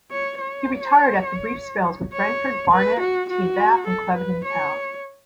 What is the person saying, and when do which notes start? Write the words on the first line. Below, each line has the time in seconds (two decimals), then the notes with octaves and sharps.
He retired after brief spells with Brentford, Barnet, Team Bath and Clevedon Town.
0.11 C#5
0.40 C#5
2.13 C#5
2.71 B4
3.00 F#4
3.30 F#4
3.87 A4
4.16 B4
4.45 C#5